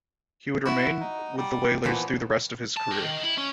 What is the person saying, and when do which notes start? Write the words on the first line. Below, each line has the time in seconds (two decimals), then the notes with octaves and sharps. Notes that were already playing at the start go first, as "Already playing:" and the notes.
He would remain with the Whalers through the rest of his career.
0.65 E4 F#4
1.01 D#4
1.38 G3
1.84 A#2 E3 F3 B3
2.77 A5
2.91 G4 A#4
3.03 D#3
3.23 E4
3.38 C#4